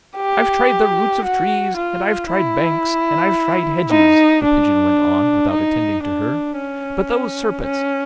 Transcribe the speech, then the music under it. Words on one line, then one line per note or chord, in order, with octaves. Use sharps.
'I've tried the roots of trees, and I've tried banks, and I've tried hedges,' the Pigeon went on, without attending to her; 'but those serpents!
G4
F#4
F4
E4
D#4
D4
D#4
D4
C#4
C#4